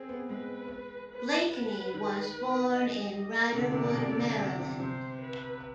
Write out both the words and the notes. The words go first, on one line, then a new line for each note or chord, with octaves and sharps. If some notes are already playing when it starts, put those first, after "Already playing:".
Blakeney was born in Riderwood, Maryland.
Already playing: C4 G#4
B3
G#3 B4
B4
B4
D#3
D#5
D#5
C3
D3 D5
C3
B2
C3
C3
D3
D3
C3
C3
C3 C5
B4